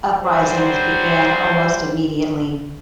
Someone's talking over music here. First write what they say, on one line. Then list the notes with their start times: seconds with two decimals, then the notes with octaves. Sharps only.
Uprisings began almost immediately.
0.22 F#3 G3 C5